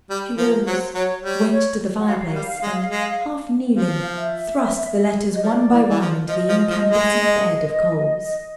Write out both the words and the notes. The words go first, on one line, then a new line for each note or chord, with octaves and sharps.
She rose, went to the fireplace and, half kneeling, thrust the letters one by one into the incandescent bed of coals.
G3
A4
F3 A#4
F#3 C5
F#3 C#5
G3 C#5
C#5
F#5
F#3 F5
F#3
G3
G#3
G#3
F3 F5
E5
D#5
F3 D5
E3
E3
F3
F3 D#5
F3
F3
G#3